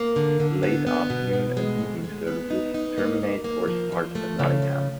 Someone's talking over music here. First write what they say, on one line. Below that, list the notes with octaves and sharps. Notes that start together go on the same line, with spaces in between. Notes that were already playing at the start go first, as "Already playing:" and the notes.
Late afternoon and evening services terminate or start at Nottingham.
Already playing: A#3
D3
D3
B3
B3
B2
B2
G#3
D2
G#3
B3
D#4
D#4
A#3
A#3
A#3
F3
F3
A3
C#3
F3